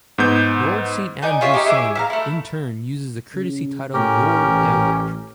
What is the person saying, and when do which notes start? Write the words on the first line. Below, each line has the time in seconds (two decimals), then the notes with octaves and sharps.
Lord Saint Andrews' son, in turn, uses the courtesy title "Lord Downpatrick".
0.18 G#2 B3 G6
1.22 D#4 D5 G#5 G6
1.41 F4 G#4 C#5 E5
1.54 D#4 E4 G4
1.66 E4 G#4 C#5 D6
1.95 E5 F5 A#5
2.10 A3 E4
3.34 C#3
3.94 A2 C#4 G4 A#4
4.44 A1